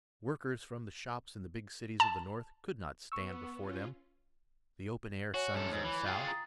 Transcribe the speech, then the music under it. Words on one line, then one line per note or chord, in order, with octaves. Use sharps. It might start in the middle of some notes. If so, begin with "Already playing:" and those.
Workers from the shops in the big cities of the North could not stand before them, the open air sons of the South.
A5
B3 C#6 E6
C#4 F4
F#4 C#5 G#5
F#2 A4
G#2
E3
F4 G#4 G5
A#5 D#6 A6